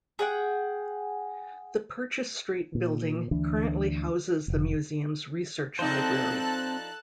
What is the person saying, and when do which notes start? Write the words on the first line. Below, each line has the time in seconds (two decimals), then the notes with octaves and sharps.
The Purchase Street Building currently houses the museum's Research Library.
0.19 G#4 F#5 G5
2.75 A#2
3.31 D2 E3 D4
4.48 F1
5.79 F3 C4 D#4 A4 C5 D5 A5 F#6